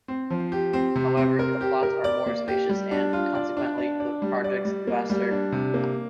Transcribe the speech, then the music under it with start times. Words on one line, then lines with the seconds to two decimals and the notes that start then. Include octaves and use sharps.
However, the plots are more spacious and, consequently, the projects vaster.
0.08 C4
0.30 F3
0.52 G4
0.73 C4
0.96 C3
1.17 C4
1.39 A#4
1.61 G4
1.83 A#4
2.04 D5
2.26 A#3
2.48 G4
2.69 G3
2.91 D4
3.13 F4
3.35 D5
3.57 D4
3.78 D4
4.00 D5
4.22 G3
4.44 D5
4.65 G3
4.87 A#3
5.10 G3
5.31 D4
5.52 C3
5.74 A#3